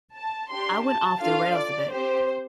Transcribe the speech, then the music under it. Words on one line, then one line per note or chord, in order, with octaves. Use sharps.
I went off the rails a bit.
A5
D4 G4 C6
A5
D4 F4 A4 F5
D5
C4 G4 C5